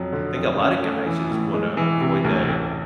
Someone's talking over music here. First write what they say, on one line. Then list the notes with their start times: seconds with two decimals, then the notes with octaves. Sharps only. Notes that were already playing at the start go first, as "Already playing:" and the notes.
I think a lotta guys just wanna avoid that a
Already playing: F2 F#3
0.12 D3
0.36 F2
0.59 C#4
0.83 A3
1.06 E3
1.31 A2
1.54 G#3
1.77 E3
2.01 C3
2.24 D2
2.48 A1